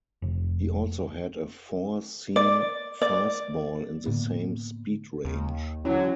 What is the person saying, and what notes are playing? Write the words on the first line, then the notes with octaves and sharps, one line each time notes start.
He also had a four-seam fastball in the same speed range.
F1
D5
D5
A2 D3 A#3 B3
D#2
D3 E3 F#3 C#4